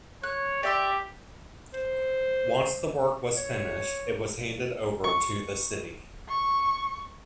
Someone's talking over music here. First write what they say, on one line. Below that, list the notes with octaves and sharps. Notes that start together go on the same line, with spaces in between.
Once the work was finished, it was handed over to the city.
C#5 F#6
G4 D5 E5 C6
C5
C#5
C#6
C#6